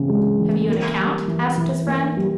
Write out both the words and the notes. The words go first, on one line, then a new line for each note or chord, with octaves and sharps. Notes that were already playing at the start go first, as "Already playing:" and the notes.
"Have you an account?" asked his friend.
Already playing: C#3 E3 C4
G#3
E3
A#3
G3
E3
E3
A#3
G3